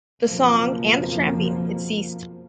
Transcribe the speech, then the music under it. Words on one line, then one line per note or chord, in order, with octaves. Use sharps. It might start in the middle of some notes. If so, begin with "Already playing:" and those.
The song and the tramping had ceased.
F#1 F2 B2 F3 A#3